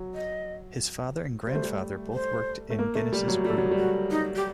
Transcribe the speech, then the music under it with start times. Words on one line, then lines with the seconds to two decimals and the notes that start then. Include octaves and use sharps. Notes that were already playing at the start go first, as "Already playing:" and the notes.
His father and grandfather both worked in Guinness's Brewery.
Already playing: F#3
0.15 D#5
1.47 G3 C5
1.55 A3
1.63 G3
2.13 C5
2.70 A3
2.79 A#3
2.95 A3
3.13 G3
3.28 F#3
3.45 G3 A4
3.58 F#3
3.71 G3
3.78 F#4
4.11 D#4
4.36 G4